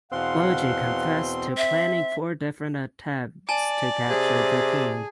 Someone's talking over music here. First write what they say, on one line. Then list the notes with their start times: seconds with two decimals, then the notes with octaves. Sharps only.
Logie confessed to planning four different attempts to capture the king.
0.12 E2 B2 C4 F5 F#5 C6
1.57 E5
3.49 D5 G#5 A5
4.09 C3 G#4